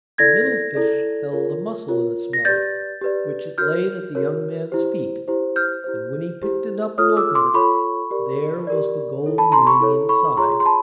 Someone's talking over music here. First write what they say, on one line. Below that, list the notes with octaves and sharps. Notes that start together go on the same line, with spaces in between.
The middle fish held a mussel in its mouth, which it laid at the young man's feet, and when he picked it up and opened it, there was the golden ring inside.
E4 A4 D5 G#6 A#6
E4 A4 D5
F4 A#4 C#5
F4 A#4 C#5
A#6
G4 B4 D5 G6 A6
G4 B4 D5
F#4 A#4 C#5 F6 G6
F#4 A#4 C#5
E4 G4 C5
E4 G4 C5
F6 G6
E4 G4 C5
E4 G4 C5
F4 A4 C#5 D#6 F6
D6 E6
C6 D6
F4 A4 C#5 B5 C#6
G4 A#4 D5
G4 A#4 D5
E4 A4 C#5
A5 B5
A#5 C6
B5 C#6
E4 A4 C#5
B5 C#6
F4 G#4 C#5 A#5 C6
C6
A5 B5